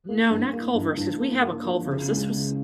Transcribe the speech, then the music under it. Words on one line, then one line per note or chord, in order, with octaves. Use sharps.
No, not Culver's ‘cause we have a Culver's, this was
A#3
G2
A#3
G2
G2
A#3
A#3
F3
C#3
G#3
C#3